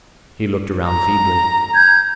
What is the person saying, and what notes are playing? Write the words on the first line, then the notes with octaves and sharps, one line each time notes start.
He looked around feebly.
A#5
G6 G#6